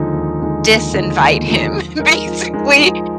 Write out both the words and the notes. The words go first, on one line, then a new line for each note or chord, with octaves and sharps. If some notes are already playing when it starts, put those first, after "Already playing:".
disinvite him, basically."
Already playing: D#2 D3 F3 G#3 D#4
D#2
D3 F3 G#3 D#4
D#2
D3 F3 G#3 D#4
D#2
D3 F3 G#3 D#4
F3
G#3 D#4 A#4 D#5
F3
G#3 D#4 A#4 D#5
F3